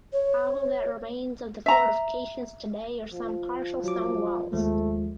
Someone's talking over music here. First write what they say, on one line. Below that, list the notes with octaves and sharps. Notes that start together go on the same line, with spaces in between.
All that remains of the fortifications today are some partial stone walls.
C#5
E5 A#5
F3
F#3 D6
D#2 F3 G#3 A3